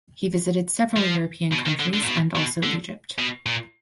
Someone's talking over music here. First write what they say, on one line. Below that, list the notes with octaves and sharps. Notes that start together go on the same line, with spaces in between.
He visited several European countries and also Egypt.
F3
B2
D#3
D3
D3
A#2
B2
B2
D3
B2
A#2